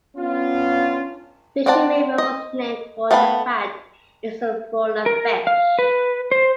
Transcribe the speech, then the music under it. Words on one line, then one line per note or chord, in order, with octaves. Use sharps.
Fishing River was named for the fact it is full of fish.
B3 C#4 D4 F4
C4 C5 D5 F#5 A5
D#5
A3 B3 F5 G5 B5
A#4
F5
B4
C5